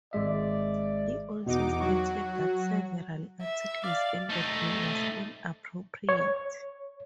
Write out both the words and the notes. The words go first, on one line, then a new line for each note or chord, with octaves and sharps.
He also stated that several articles in the bill was inappropriate.
G#1 G#3 D5 E5
E2 B2 D#4 F#5 D6
F#3 F#4 C#6
E5
D5 F5
A3 D#4
C#5